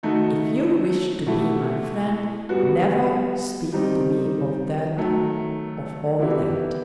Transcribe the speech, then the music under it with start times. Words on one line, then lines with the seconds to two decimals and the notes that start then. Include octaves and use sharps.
If you wish to be my friend never speak to me of that... of all that!
0.03 D#3 A3 D#4 F#4
1.26 B2 A3 E4 G4
2.49 G3 B3 F#4
3.72 D#3 G3 C4 D#4 G4
4.96 D#3 F#3 A3
6.19 E3 B3 E4 G4